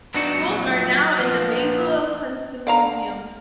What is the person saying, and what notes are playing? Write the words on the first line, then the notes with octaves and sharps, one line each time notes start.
Both are now in the Basel Kunstmuseum.
F#3 B3 D4 D#4 F#4
F2 A#2 F#3
A#2 F3 B3 F6
D3 F5 A#5